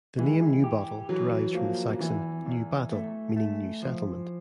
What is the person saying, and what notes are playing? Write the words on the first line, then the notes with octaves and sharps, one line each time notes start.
The name Newbottle derives from the Saxon 'New Battle' meaning 'new settlement'.
E3 G#3
G4
E3 F#3
F3 A#3
E2 E3
E2
A3
A3
F3